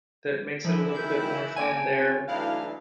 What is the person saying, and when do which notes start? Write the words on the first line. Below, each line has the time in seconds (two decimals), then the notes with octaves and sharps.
that makes it a little bit more fun there.
0.65 F#2 E3 F3 E4
0.95 D#3 G6
1.56 A#3 C#4 G5 G#5 G#6
1.94 G#1 C4 C#4
2.28 B1 G#2 E3 A3 D4 E4 F5